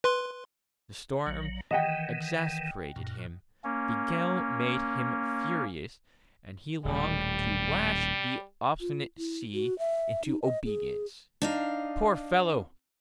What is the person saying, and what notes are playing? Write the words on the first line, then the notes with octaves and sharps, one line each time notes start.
The storm exasperated him, the gale made him furious, and he longed to lash the obstinate sea into obedience. Poor fellow!
B4 C6
A#1 F#3
D#3 E3 D#5 F#5 G5
F#2 A#2
A#3 C#4
D#1 A2 G3
F4
E4
F#4
E5
D#4
D#5
G#4
D4 D#4 F5